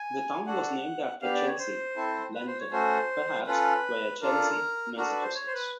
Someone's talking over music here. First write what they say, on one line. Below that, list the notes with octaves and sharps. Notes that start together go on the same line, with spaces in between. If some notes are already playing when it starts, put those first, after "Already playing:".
The town was named after Chelsea, London, perhaps via Chelsea, Massachusetts.
Already playing: G#5
D4 F#4 A4 F#5
B3 D4 G4 F5
D5
C#5
C5
C4 E4 A4
B4
C5
C#5
A3 C#4 F#4 A4 C5
C#4 F4 A4 B4
D4 F4 A4 A#4
D4 F#4 A4 A#4
B4
C5
C#5
C5
B4